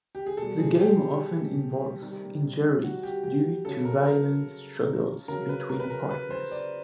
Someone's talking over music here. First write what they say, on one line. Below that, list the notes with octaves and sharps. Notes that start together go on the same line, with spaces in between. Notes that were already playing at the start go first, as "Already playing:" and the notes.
The game often involves injuries due to the violent struggles between partners.
G4
G#4
B2 G3 A4
G#4
G4
C3 D#3 G3
F#4
G4
G4
C#3 F#3 A4
A#4
A#4
C#3 F#3 A#4
B4
A#4
B4
A#4
B4
C5
D5